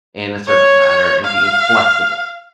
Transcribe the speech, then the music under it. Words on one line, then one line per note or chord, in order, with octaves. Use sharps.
in a certain matter, and being flexible;
C#5
F5